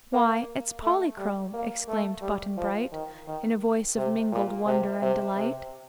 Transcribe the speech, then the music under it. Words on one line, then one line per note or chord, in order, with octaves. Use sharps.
"Why, it's Polychrome!" exclaimed Button-Bright, in a voice of mingled wonder and delight.
A#3
A3
G3
A#3
A3
G3
F3
D#3
D#3
C3
A#2
C3
C3
C3